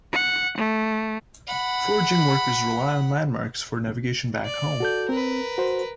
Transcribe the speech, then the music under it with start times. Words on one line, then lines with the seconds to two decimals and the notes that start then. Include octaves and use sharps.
Foraging workers rely on landmarks for navigation back home.
0.12 F#5
0.57 A3
1.47 F#5 B5
4.46 D5
4.80 F#4 A4 G6
5.09 C4 A#4 B4
5.58 F#4 C5